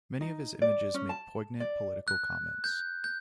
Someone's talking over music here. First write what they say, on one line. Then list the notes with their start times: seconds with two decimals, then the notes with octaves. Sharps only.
Many of his images make poignant political comments.
0.21 D#4
0.62 D5
0.94 C#4
1.09 A5
1.60 D5
2.08 F#6
2.64 G6
3.04 G6